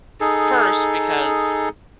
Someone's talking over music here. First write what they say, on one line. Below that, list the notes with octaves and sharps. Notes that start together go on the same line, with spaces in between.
First, because
D#4 G#4 A4